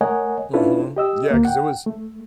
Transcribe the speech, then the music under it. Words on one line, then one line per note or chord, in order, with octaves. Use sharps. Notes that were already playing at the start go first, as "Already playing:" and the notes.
Mhm. Yeah, 'cause they was
A3 A#4 C#5 D#5 F#5 G#5
C#4 D4 E4 F4 A4 B4
G4 D#5 E6
D2 A#3
F#5 G5
A3